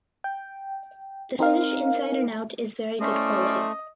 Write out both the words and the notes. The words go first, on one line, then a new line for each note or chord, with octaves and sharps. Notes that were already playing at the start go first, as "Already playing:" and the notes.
The finish inside and out is very good quality.
G5
C4 D#4 A#4 F5
A3 C#4 E4 C5 D5 D#5